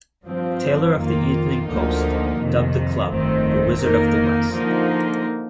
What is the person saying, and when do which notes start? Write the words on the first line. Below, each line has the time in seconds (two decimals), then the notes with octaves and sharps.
Taylor of The Evening Post, dubbed the club "The Wizards of the West".
0.25 G2 F3 C4
0.96 F2 D#3 A#3 F4
1.67 D2 D3 F3 A#3 D#4
2.38 F2 C3 D#3
3.10 G1 F2 D#3 A3 C4
3.80 F2 D#3 A#3 D#4 A#4
4.52 D3 F3 A#3 D#4 A#4